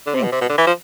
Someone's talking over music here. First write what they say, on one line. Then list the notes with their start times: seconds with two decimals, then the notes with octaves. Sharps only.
Thank you.
0.07 D3
0.15 C3
0.23 B2
0.32 C3
0.41 B2
0.50 D3
0.58 E3
0.67 F3